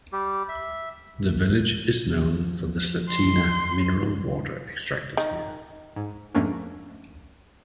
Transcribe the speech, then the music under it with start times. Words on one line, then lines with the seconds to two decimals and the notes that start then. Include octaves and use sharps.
The village is known for the Slatina, mineral water extracted here.
0.12 G3 G4
0.49 E5
2.11 F3
3.11 C6
5.17 D#3
5.96 G#2
6.34 F2 G#2 A3 A#3 C#4 D4